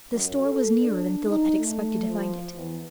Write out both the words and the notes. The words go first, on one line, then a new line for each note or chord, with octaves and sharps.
The store was nearer than Philip had expected to find it.
F#2
A4
D4
D#4
A3
F3
E2